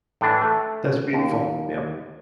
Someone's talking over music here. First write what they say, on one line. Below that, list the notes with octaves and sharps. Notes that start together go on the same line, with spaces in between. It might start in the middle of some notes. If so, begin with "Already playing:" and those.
That's beautiful, yep.
A2 E3 D4
A3
D#2